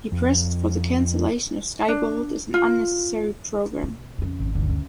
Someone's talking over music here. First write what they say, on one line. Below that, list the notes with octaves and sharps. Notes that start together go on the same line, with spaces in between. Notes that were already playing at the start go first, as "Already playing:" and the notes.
He pressed for the cancellation of Skybolt as an unnecessary program.
F2
D4
F4
B2
F2 C#3
G#1
G1 D2 D#3
C#3